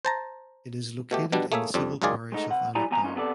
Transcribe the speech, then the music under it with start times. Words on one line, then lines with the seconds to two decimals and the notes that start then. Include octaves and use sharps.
It is located in the civil parish of Annaghdown.
0.05 C5 A5 A#5
1.11 B2 A3 G4
1.32 B2 G3 D4
1.52 A3 A#3 G#4 C#5 E5
1.74 F2 G3 D4
2.02 C#2 F#2 D#3 F4 G#4 D5
2.32 G#3 A3 D#4
2.49 C3 F#5
2.75 F#3 E4 G4 D5 G#5 A#5
2.90 B1 B2 E3 G#5 A#5
3.03 D#2 A2 E3 C#4 D#4 F4
3.15 C3 B3 D4 A4 D5